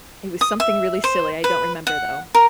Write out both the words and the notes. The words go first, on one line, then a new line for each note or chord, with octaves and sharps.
It was something really silly, I don't remember, though.
D#6
E5
C5
B4
F#5
A#4